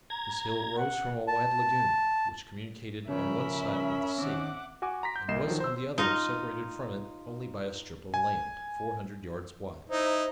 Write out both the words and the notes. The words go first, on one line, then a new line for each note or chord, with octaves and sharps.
This hill rose from a wide lagoon, which communicated on one side with the sea, and was on the other separated from it only by a strip of land, four hundred yards wide.
A#5 G#6
F#5
A5
C#3 F3 C#4 A#4 E5 B5
D#3 C4 F#5 D6
F#4 F#5 G#5 D6
A#5 C6 A#6 B6
G6
C2 A#3 D#5 C7 E7
D#3 F3 F#3
C5 E6
D#4 F4 D#5
G#5
D#4 E4 C5